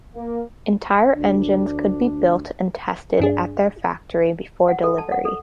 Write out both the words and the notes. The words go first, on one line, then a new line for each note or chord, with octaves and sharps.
Entire engines could be built and tested at their factory before delivery.
A#3
D2 D4
G2 D4 G#4
F#5
A4
A5
F#5
A4